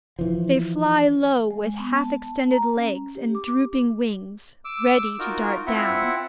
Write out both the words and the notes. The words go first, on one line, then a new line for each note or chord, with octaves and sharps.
They fly low with half-extended legs and drooping wings, ready to dart down.
E3 F3
G#3
B3
A5
A#5
C#4
G4
D6
D6 E6
D#4 F4 F#4 A#4
C4 E4 F4 E5 F#5